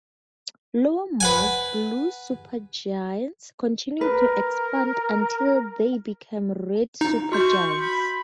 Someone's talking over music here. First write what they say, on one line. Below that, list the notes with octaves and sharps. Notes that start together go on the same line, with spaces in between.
Lower mass blue supergiants continue to expand until they become red supergiants.
B4 F#5 G#5
A#4 B4
D#4
F#4 C6 C#6 G6
B5